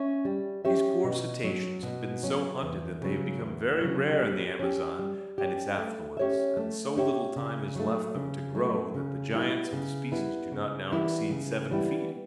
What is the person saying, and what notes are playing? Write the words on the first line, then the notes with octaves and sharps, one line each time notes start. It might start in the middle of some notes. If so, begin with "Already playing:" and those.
These poor cetaceans have been so hunted that they have become very rare in the Amazon and its affluents, and so little time is left them to grow that the giants of the species do not now exceed seven feet.
Already playing: C#4 E5
G3
C#4 G4 C#5 E5
B2
F#3 C#4
B2
F#3 C#4
E2
C#3 F#3
E2
C#3 F#3
G3
C#4 G4
G3
C#4 G4
A3
C#4 G4 C#5 E5
A3
C#4 G4 C#5 E5
C#3
F#3 A3
C#3
F#3 A3
C#3
G3 B3 E4
C#3
G3 B3 E4
C#3
E3 G3 B3 E4
C#3
E3 G3 B3 E4